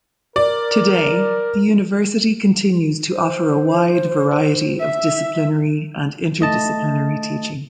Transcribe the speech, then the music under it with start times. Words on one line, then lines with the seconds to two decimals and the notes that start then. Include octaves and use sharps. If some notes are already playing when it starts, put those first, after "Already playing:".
Today, the University continues to offer a wide variety of disciplinary and inter-disciplinary teaching.
0.36 A#4 D5
3.11 C5
4.80 E5
6.41 A3 D#5 A5